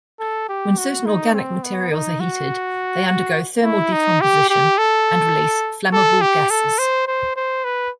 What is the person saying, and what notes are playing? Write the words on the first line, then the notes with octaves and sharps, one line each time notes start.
When certain organic materials are heated, they undergo thermal decomposition and release flammable gases.
A4
G4
F#4
D#4
C4
B3
D#4
F#4
E4
D#4
G4
G4
A4
A4
G4
A4
C5
C5
C5
B4